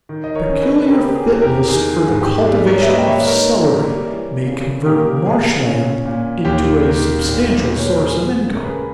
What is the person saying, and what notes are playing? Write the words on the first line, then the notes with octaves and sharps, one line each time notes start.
Peculiar fitness for the cultivation of celery may convert marsh land into a substantial source of income.
D#3
D#5
A#4 C#5
C#4
G#4 B4
B4
C#3 G4 A#4
G4
G#4
E2
G4 A#4
D#3 G#4
G#4
G#2
G4
G3 G#4
A#4 C#5
E5
A#3 B4 D#5
G5
C#5 E5
D#4 A#4 C#5
G3
E3
C#3
A#2 G4 A#4
A#4
A#2 G#4
C#4
A#2
D#2 G4
D#3
A#2
G#3
C#5
B4
A#4
G#3 G#4
C#3
A#4
G#4 B4